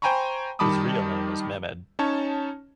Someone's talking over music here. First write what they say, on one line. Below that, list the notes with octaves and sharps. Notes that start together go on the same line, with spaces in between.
His real name is Mehmed.
C5 G5 G#5 A#5 B5 C#6
D#3 G3 A5 B5 D6 D#6
C#4 D#4 C#5 A5